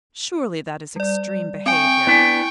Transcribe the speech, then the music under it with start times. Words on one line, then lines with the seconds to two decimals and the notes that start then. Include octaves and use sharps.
Surely that is extreme behaviour.'
0.96 G3 D5
1.66 C4 G5 G#5 C#6
2.07 B3 D4 E4 G#5